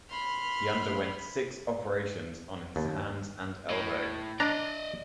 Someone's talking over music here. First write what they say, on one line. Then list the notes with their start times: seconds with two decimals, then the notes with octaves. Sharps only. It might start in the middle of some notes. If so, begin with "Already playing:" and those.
He underwent six operations on his hands and elbow.
0.10 B5 C6 F6
2.76 D#2
3.70 A2
4.40 D4 D5 D#5 A#5